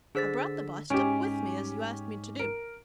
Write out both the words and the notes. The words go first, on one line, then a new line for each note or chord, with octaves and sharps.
I brought the bust up with me, as you asked me to do.
D3 G#4 C5 E6 A6 B6
G#2 G#3 C#4 D#4 G4 G#5 D7
A#4 D7